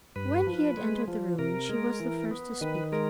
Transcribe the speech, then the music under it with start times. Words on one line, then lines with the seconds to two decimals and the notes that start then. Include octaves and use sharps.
When he had entered the room she was the first to speak.
0.16 G2 B4
0.47 F3
0.77 G#3
1.08 F3
1.39 C3 A#4
1.69 G#3
2.00 E3
2.31 B3
2.61 D#3 B4
2.92 G#3 A#4